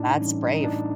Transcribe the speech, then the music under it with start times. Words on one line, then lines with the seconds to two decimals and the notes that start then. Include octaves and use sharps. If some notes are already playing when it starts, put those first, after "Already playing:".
That's brave.
Already playing: A2 D4 D#4
0.18 E3 G3 C#4
0.54 D#4
0.63 A2 D4